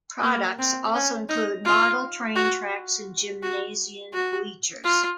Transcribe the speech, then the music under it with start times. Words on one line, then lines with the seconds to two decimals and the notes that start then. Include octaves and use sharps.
Products also include model train tracks and gymnasium bleachers.
0.23 A#3
0.59 C4
0.94 C#4
1.29 D#4
1.65 F4
2.36 F#4
3.43 F#4
4.13 F#4
4.84 F4